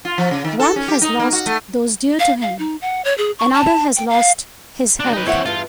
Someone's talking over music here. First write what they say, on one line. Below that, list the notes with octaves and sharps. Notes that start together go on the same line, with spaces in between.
One has lost those dear to him, another has lost his health.
F4
F3
C#3
D#3
A4
C#4
G4
D#4
A#3
F#4
A3
F5
F5
D#4
F#5
C#5
G#4
C#6
A5
G5
F5
D4 F#4
D#4 B4
E3 C4 C#5 E5 F#5
E2 G2 F4